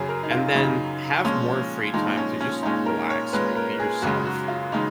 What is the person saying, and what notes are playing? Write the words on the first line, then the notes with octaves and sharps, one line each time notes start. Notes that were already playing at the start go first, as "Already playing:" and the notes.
And then, have more free time to just relax, right? Be yourself,
Already playing: F#2 C#3 F#3 G#4
A#4
D#4
F4
F#2 C#3 F#3 D#4
A#2 F3 G#3 C#4
A#2 F3 G#3 D#4
C#4
C#4
A#2 G#3 C#4 D#4
A#4
C#5
A#2 G#3 C#4 B4
A#4
G#4
F#2 C#3 G#3 F#4
F#4
F4
C#3 G#3 D#4